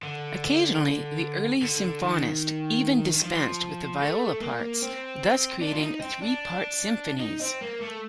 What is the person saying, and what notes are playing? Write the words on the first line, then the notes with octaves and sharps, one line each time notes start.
Occasionally the early symphonists even dispensed with the viola part, thus creating three-part symphonies.
D3
D3
D#3
D#3
F3
A3
A#3
C4
D4
F4
D#4
C4
D4
D#4
C4
A#3
A3